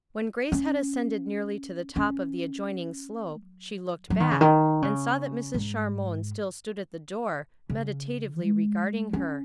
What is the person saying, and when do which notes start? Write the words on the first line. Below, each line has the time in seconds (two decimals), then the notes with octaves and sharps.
When Grace had ascended nearly to the top of the adjoining slope she looked back, and saw that Mrs. Charmond still stood at the door, meditatively regarding her.
0.52 C#4
1.96 C#4
3.39 F#3
4.10 F#3
4.20 D#3
4.31 C#3
4.41 D#3
4.82 C#3
5.54 G#2
7.70 C#3
8.42 G#3
9.13 C#4